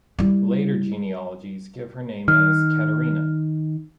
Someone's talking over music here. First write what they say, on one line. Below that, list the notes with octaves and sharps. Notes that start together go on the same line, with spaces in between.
Later genealogies give her name as Katarina.
G3 E4
D#3 F6